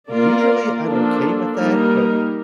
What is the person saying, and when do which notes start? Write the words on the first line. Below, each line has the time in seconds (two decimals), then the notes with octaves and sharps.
Usually I'm okay with that but,
0.10 A#3 F4 A#4 D5
0.84 F3 A#3 D4 A4
1.56 G3 A#3 D#4 A#4